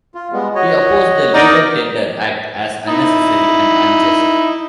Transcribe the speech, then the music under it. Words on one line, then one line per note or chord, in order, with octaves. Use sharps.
He opposed the Legal Tender Act as unnecessary and unjust.
F4
G3 G#3 B3
F#4 C#5 D#5
D#4 A#4 D5
D#4 E4